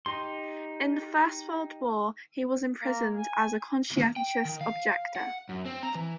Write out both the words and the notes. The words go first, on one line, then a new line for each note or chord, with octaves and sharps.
In the First World War he was imprisoned as a conscientious objector.
D#4 G4 C6
A#3
G#5
G5
D#3
F5
F#5
F#2
C4
A#5
E3